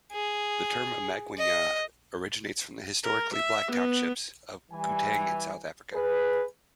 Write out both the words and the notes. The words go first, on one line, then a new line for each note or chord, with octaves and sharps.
The term "amagwinya" originates from the historically Black townships of Gauteng in South Africa.
G#4
D#5
A#4
E5
B3
E3 G3 G#5
G#4 B4